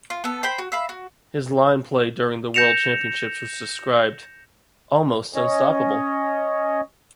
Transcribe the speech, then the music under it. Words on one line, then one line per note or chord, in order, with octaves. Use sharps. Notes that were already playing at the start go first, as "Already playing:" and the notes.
His line play during the world championships was described "almost unstoppable".
F4
B3 A4
C5 G5 B5
F#4
E5 F5 B5
F#4
G6 A#6 C#7 E7 F7
C#4 C#5 D#5